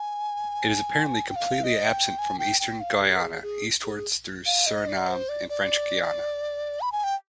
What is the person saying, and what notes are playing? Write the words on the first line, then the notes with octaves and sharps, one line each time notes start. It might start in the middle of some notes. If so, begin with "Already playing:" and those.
It is apparently completely absent from eastern Guyana eastwards through Suriname and French Guyana.
Already playing: G#5
G5
F5
D#5
G5
G#5
G5
G5
F5
G4
B4
G#4
G#4
G#4
F5
D#5
D5
C5
D5
D5
B5
G#5
G5